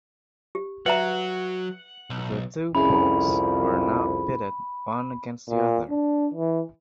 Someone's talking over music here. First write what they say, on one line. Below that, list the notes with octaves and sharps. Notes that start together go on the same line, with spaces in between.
The two Popes were now pitted one against the other.
G4
F#3 B4 E5 F#5 A#5
B1
C2 F2 C#4 E4 G#4 B5
A#2
D4
E3